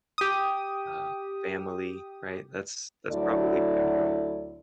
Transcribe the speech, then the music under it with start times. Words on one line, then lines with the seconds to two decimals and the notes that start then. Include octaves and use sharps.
uh, family, right? That's that's probably who I'd go
0.18 G4 D#6
3.10 D2 F#3 E4 A4 D5